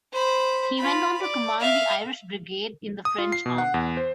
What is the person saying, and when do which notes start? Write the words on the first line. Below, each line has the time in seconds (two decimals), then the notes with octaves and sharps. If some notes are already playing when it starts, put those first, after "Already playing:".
He went on to command the Irish Brigade in the French army.
0.12 C5 B5
0.78 F4 B5
1.21 D5
1.60 E5 F5
3.05 D#6
3.18 F4
3.32 C7
3.46 B2
3.58 F#5
3.74 E2
3.97 C5